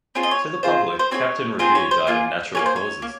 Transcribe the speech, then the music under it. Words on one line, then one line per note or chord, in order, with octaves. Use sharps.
To the public, Captain Revere died of natural causes.
C4 F4 G#4 C#5
D#5
C#5
C4 F4 G#4 C5
C5
C4 F4 G#4 C#5
C4 F4 G#4 C5
C#5
C5
A#3 F4 G#4
A#3 F4 G#4 C#5
C5
C#5
A#3